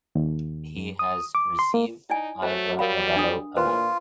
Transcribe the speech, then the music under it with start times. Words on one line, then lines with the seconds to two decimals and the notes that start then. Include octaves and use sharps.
He has received Ivor Novello Award.
0.15 D#2
0.76 F#2
0.99 D#6
1.35 D6
1.59 C6
1.74 A#3
2.10 D#4 E4 D5 G#5
2.43 F#3 A3 C5
2.79 G3 A#4 F5 B5
3.16 D4 D#6
3.57 A#2 E3 F4 B4 C5